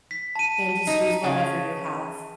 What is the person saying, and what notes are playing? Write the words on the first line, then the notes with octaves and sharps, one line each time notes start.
and just use whatever you have.
B6
A5 D#7
D#4
C#3 G#5